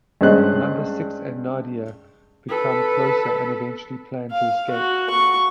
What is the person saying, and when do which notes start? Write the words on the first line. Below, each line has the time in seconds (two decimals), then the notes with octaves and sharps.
Number Six and Nadia become closer and eventually plan to escape.
0.21 G2 G#3 C#4 C5 D#5 F#6
2.49 A4 B4
4.32 F5
4.71 F#4
5.10 C#6